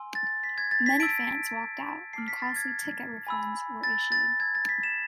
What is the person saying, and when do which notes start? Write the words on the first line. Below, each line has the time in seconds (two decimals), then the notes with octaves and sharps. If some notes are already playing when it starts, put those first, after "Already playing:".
Many fans walked out, and costly ticket refunds were issued.
Already playing: G#5 C6 E6
0.15 A6
0.44 B6
0.58 G#6
0.71 A6
0.86 B6
1.00 A5 E6 D7
2.13 A5 D6 F6 C7
2.28 B6
2.42 A6
2.56 G#6
3.27 G#5 B5 E6
3.83 A6
4.12 A6
4.40 A5 E6 G#6
4.55 A6
4.69 B6
4.83 E7